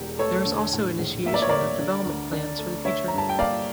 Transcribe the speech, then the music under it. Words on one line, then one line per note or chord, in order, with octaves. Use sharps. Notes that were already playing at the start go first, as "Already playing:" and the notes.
There is also initiation of development plans for the future.
Already playing: E1 E2 G4
A3 A4 C#5
D3
A2
A#1
A#3 E5
D5
C#5
G3 A#4 D5
D3
D2
D4
A3
D3 C#5 E5
G2 A#5
A5
G5
A#3 D5 F5